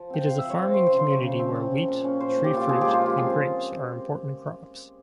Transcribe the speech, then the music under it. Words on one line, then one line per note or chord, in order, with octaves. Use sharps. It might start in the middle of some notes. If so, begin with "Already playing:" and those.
It is a farming community where wheat, tree fruit, and grapes are important crops.
Already playing: F3
C4 G5
C4 F5
F3 E5
C#5
C4 C5
C4 C5
C#3 C5
C5
C#3 C#5
C#3
C4
C4
C#4
A#2
C#4
A#2 C5
A#2
G4
A#2 F4
F3 G#4
G#3 G4
F4
F3 G4
C4 G#4